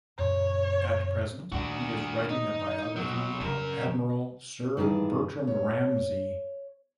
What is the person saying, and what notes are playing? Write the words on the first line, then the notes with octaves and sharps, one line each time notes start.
At present, he is writing a biography of Admiral Sir Bertram Ramsay.
F#2 A#2 C#3 C#5
A#2 D#3 D4 F#4
D#4
B2 F#3
F#2 C#3 C#4 A#4
G2 D#3 E3 G#4 A5
C#5